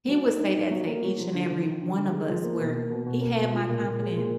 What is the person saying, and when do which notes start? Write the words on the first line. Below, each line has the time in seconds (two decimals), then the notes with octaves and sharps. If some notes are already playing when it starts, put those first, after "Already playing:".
He would say that to each and every one of us where he had my confidence
0.08 F#3
0.25 D#4
0.40 D#4
0.56 D#4
0.71 F#3
0.87 A#3
1.03 F#3
1.19 F3
1.34 D3
1.50 F3
1.65 F3
1.81 D3
1.97 D3
2.12 G#3
2.28 F3
2.43 A#3
2.59 B2
2.75 A#3
2.90 B2
3.06 B2
3.21 A#3
3.38 B2
3.53 F4
3.69 A#2
3.84 A#2
4.00 G#3
4.16 A#2